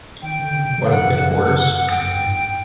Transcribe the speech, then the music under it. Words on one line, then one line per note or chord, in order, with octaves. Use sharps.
What a good horse ?
D#3 G5
D3
C#3
B2
A#2
A2 F5
G2 F#5
F#2
F#2
F#5
F#5
F#2 G5
F2
F#2
G2
G#2